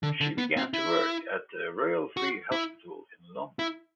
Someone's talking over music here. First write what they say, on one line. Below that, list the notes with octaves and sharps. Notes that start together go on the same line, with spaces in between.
She began to work at the Royal Free Hospital in London.
D3
D3
B3
C4
E4
F#4
E4
E4